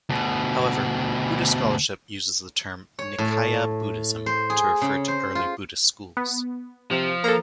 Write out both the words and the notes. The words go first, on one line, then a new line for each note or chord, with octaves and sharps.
However, Buddhist scholarship uses the term "Nikaya Buddhism" to refer to early Buddhist schools.
D2 B2
C#5
A2
C5
G#4
C#3
C5
F4
B3
C3 F3
A#3 A4 A#5